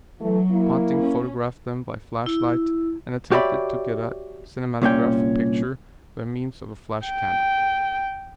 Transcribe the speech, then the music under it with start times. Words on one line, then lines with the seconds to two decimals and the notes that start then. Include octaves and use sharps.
Ponting photographed them by flashlight and attempted to get a cinematograph picture by means of a flash candle.
0.20 E3 F#3 A3
0.50 A#3 E4
1.00 C#4
2.26 E4
3.32 F#4 G4 C#5 D5 E5 B5
4.82 C2 A#2 C#4 G5
7.06 G5